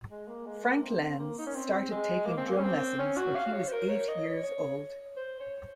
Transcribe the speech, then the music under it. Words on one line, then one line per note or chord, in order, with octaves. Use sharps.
Frank Lenz started taking drum lessons when he was eight years old.
G#3
A#3
G#3
A#3
C4
A#3
D#4
C#4
C4
G#3
A#3
C4
A#3
C#4
C4
C#4
F#4
F5
C#5
C5
A#4
C#5
D#5
C#5
C#5
C5
C#5